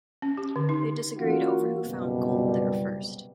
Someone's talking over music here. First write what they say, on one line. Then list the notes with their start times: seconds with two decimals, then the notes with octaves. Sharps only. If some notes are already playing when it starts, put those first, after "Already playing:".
They disagreed over who found gold there first.
0.22 C#4
0.37 G4
0.56 D3
0.69 D#4
1.19 E3 A#3 C#4 F4 F#4
1.84 F#1 C2 B2 G3